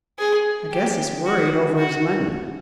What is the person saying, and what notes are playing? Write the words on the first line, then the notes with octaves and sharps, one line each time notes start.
"I guess he is worried over his money."
G#4
G4
F#4
F#4